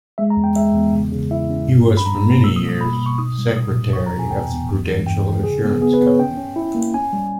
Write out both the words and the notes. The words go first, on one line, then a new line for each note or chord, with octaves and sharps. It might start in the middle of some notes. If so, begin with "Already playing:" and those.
He was for many years secretary of the Prudential Assurance Company.
G#3 E5
A#5
E2
G5
G#3 E5
E2
C#3
C#3
E4 E5
C#4
G2
G2
B5
G3 A#5
A#3
B2 E6
D#6
G3
D#6
B2 B5
B2
C#6
D#4 D#6
G3
A#2 D#6
A#2
E2 C#6
A#5
B2
G#5
E2 G5
E2
G2
E3
G2 G5
G2
C#3 G#4
B3
B3 G#4
B4
B3
C#5
C#4 G5
C#4
E4
A#3
C#4 G#5
G3